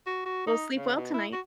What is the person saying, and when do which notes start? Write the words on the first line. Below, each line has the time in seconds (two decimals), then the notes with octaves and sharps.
Well, sleep well tonight.
0.06 F#4
0.26 F#4
0.47 D#4
0.76 C#3
0.97 B2
1.14 E4
1.33 F#4